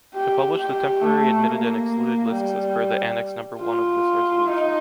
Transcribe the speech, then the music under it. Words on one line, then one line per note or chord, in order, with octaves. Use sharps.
To publish the temporary admitted and excluded lists as per the Annex number one of this resolution.
G4
G4
A3
A#3
G3
F4
D#4